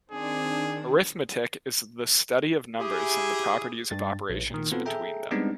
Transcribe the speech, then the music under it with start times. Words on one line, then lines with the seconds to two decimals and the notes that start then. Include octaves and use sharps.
Arithmetic is the study of numbers and the properties of operations between them.
0.12 D#3 C4 D4 G#4
2.80 E4 G4 G#4
3.90 G2 A6
4.30 A#1
4.51 A#2 D#3
4.72 B3 C4 F4 F#4 A4 B4
4.86 G#4 A4 E5 G5 A#5
5.31 G3 G#3 B3 C4 D4 D#4